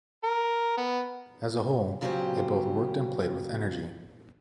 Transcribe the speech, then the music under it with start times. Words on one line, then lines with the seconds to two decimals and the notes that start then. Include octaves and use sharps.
As a whole, it both worked and played with energy.
0.24 A#4
0.78 B3
2.01 A#2 C#3 F#3 B3 G4 C5